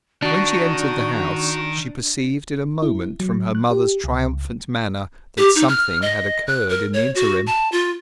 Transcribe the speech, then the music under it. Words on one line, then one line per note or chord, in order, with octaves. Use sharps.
When she entered the house she perceived in a moment from her mother's triumphant manner that something had occurred in the interim.
D#3 D4 F#4
E4
F#3
F#6
G4
C#2
G4
D#4
F6
D#5
F#6
A#4
C#5
F#4
A5
F4